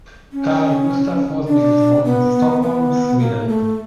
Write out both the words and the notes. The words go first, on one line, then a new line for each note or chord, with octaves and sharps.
Carl-Gustaf Rossby was born in Stockholm, Sweden.
C#4
D4
B3
B3
A#3
A3